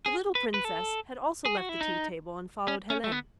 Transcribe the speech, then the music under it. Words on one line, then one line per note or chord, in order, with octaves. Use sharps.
The little princess had also left the tea table and followed Helene.
G#4
B4
B4
A4
G#4
F#4
E4
D#4
C#4
C#4
A3
B3